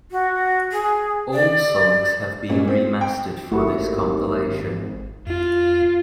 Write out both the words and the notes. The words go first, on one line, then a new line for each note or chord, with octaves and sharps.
All songs have been remastered for this compilation.
F#4
G#4
D5
A#2 G#3 C#4
C4
G5
G#1 D#2 A3 E4 F#4
F2 F4